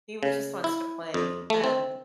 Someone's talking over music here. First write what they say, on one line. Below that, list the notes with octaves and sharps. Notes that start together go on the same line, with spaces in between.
He was just wants to play. Um,
C#3
E4
F2
A3
C4